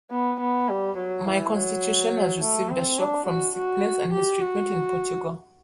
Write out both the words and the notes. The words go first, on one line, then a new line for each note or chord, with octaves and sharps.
My constitution has received a shock from sickness and mistreatment in Portugal.
B3
B3
G3
F#3
E3
F#3
A3
C4
D4
F#4
F#4
G4
F#4